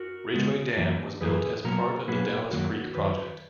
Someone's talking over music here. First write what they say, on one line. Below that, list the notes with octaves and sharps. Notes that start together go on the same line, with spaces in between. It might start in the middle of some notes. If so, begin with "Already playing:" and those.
Ridgway Dam was built as part of the Dallas Creek Project.
Already playing: F#4 A#4
C#3 G#3 B3
F#2 E3 A#3
F#2 E3 A#3 G#4 B4
B2 F#3 A#3 F#4 A#4
B2 F#3 A#3 G#4 B4
F#2 D#3 F#3 A#3 F#4 A#4
F#2 D#3 F#3 B4